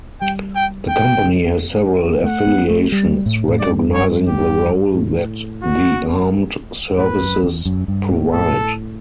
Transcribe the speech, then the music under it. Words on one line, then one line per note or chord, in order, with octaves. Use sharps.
The Company has several affiliations recognising the role that the Armed Services provide.
G3 G5
G5
G5
A3 F#5
B3
A3
G3
A2
A2
G2 D5
C#5
G4
A2
F#4
A2 B4
F#2
F#2
E2
F#2
G2
A2
A2 A4